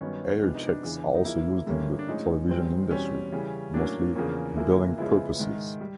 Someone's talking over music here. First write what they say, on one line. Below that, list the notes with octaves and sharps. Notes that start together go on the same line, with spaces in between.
Airchecks are also used in the television industry, mostly for billing purposes.
G2 D#3 F#3 B3 C#4
C3 F3 G#3 B3 D4
D#4
D4
E2 C#3 E3
D#4
C#3 F3 A#3 E4
G2 D3 G3 A#3 C#4
D4
A2 F3 G#3 C#4 D#4
F#2 D#3 G3 C4
E2 B2 G3 C4 C#4
C#3 E3 G3
A2 F#3 A#3 C#4 D4
E2 C#3 F3 A#3 C#4
F#2 D3 F3 A#3 E4
C#3 F3 G#3 B3 E4
G#2 D#3 G#3
G3